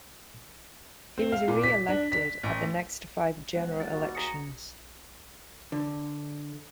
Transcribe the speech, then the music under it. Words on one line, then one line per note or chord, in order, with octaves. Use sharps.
He was re-elected at the next five general elections.
C4
F5
A#2
B6
D4
B6
A1
E1 C5 F#5
D#2 A6
G3 F#4
G#4 A#5 A#6 C#7
D3